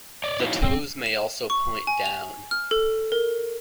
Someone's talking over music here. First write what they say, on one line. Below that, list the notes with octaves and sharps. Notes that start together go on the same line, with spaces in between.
The toes may also point down.
C#5 D5
D#4 E4 F#4 C#5 F5
C4
E7
C#6
G#5
F7
F6
A4
A#4